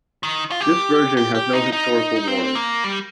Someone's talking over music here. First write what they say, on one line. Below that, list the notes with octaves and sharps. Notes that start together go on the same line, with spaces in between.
This version has no historical warrant.
D#3
F4
G4
G4
G4
D#4
D#4
C4
A#3
G3